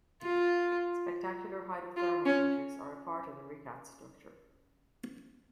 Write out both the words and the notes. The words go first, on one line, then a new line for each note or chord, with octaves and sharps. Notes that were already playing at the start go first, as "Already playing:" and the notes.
Spectacular hydrothermal features are a part of the Richat Structure.
F4
F4
C#4